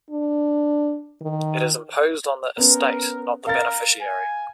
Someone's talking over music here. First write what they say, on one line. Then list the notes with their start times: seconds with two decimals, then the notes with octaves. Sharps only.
It is imposed on the estate, not the beneficiary.
0.11 D4
1.21 D#3
2.58 B3 C#4 A#4
3.47 A#4 F5 A6
4.01 G#5